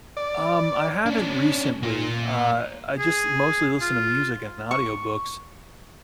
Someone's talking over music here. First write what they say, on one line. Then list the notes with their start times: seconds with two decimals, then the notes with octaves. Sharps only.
Um, I haven't recently, uh, I just mostly listen to music and audiobooks.
0.17 D5
1.06 C#4 D4
1.83 A#3 F4
2.99 G#4
3.81 F4
4.71 C#6